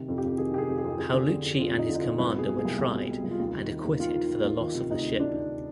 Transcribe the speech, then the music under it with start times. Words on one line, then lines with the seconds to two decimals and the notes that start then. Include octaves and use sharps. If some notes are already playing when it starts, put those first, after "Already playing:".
Paulucci and his commander were tried and acquitted for the loss of the ship.
Already playing: C3 D#3
0.08 F2
0.18 G4
0.24 F2
0.38 D#3 G#4
0.54 C3 G4
0.58 G#4
0.68 F2
0.78 G#4
0.84 F2
0.98 F2 G#4
1.13 D3
1.28 D3 G4
1.44 F2
1.59 F2 F4
1.74 D3 D#4
1.89 D3
1.94 D#4
1.99 F4
2.04 F2
2.19 C2 B4
2.34 B2 G#4
2.49 B2
2.59 G#4
2.65 C2
2.79 C2
2.94 B2
3.09 B2
3.24 C2
3.31 F4
3.39 D#2 G4
3.55 D#3
3.70 D#3
3.84 D#2
4.00 D#2 F4
4.15 D#3
4.29 D#3
4.44 D#2
4.60 D#3 F4
4.75 C3
4.90 D2 D#4
5.05 D2
5.20 D#3 D4
5.36 C3